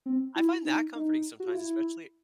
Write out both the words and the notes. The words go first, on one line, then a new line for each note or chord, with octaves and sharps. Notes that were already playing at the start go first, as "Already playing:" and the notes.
I find that comforting sometimes, especially
C4
E4
D#4
D#4
F#4
F4
E4